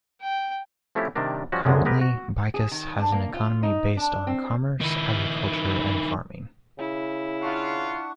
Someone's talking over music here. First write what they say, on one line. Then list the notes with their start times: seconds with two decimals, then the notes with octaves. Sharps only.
Currently, Bicas has an economy based on commerce, agriculture and farming.
0.21 G5
0.95 F3 A3 C4 C#4 E4 G4
1.15 C3 D#3 G3 D4 A#4
1.52 F3 G3 C#4 F#4
1.65 B1 F#2 D3 D#3 F3 G#3
1.85 G#3 B3 G4 A#4 B4
2.01 F#4
2.54 G#4
2.71 D#3
2.98 D4
3.12 A#3
3.34 F4
3.63 D#4
3.97 D4
4.27 C4
4.81 D#3 E4
6.79 C#3 E4
7.42 D4 F4 F5 F#5 C#6